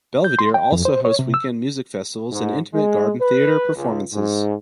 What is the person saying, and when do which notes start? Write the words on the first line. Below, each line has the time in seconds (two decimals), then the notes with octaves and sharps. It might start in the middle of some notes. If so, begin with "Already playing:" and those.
Belvedere also hosts weekend music festivals, and intimate garden theatre performances.
0.24 G6
0.39 C6
0.54 G5
0.72 F2
0.85 C5
1.05 C#5
1.19 C3
1.34 E6
2.31 G#2
2.74 G#3
3.21 B4
3.76 C#2
4.13 G#2